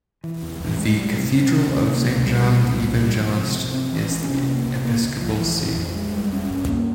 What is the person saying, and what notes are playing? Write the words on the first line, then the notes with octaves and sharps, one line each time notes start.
The Cathedral of Saint John the Evangelist is the episcopal see.
E3
E2
E2
G#3
G3
C3
C3
C#4
C3
A#3
C2
G3
A#2
C2
C2
G3
F3
C3
C3
C4
E3
C#4
C3
A#3
C3
A#3
C#2
F3
E3
F2
F2
G#3
G3
C#4
G2
A#3